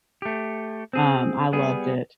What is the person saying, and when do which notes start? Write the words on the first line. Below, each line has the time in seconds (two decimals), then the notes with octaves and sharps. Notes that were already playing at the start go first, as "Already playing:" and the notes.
Um, I loved it.
0.22 A3 G4
0.93 C4 G#4
1.53 G3 B3 G#4